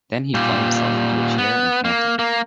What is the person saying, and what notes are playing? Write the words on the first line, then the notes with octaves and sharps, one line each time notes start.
Then he flung himself into a chair and panted.
A#2 G3
B3
A#3
A#3 A#4